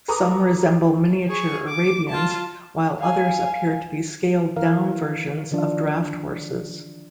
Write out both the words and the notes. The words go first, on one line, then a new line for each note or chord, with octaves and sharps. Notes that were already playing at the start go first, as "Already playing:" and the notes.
Some resemble miniature Arabians, while others appear to be scaled-down versions of draft horses.
A4 B4 A#5 D6 D#6
G#4 C#6
D6
F4 A5
F5 G#5
E3 A#4 F5
D3 D#3 F3 D4 F4